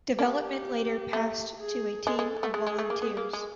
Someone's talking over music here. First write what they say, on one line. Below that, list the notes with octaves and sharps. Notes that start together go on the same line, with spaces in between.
Development later passed to a team of volunteers.
A#3 G4
A3
G#4
G#3 A4
G#3
A3
G#3 G#4
G#3
A3
A#3
B3
A#3
G#3